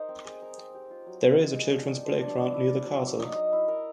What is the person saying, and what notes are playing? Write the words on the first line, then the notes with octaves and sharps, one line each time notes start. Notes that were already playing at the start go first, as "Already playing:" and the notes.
There is a children's playground near the castle.
Already playing: D#4 A#4 C5
C4
G#4
A#4
C4
G4
F4
F#3
C#4
G#3
G#3
D4
G4
F3
D4
F5
E4
D5
F#3
F#3
D#4
D#5
E4
A#4